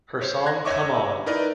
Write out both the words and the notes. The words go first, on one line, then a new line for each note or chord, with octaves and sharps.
Her song Come On!
C5 C#5
F#6 G#6 A#6
C#5 D#5 E5 C#6 D6
D#4 E4 A#4 B4 D5 D#5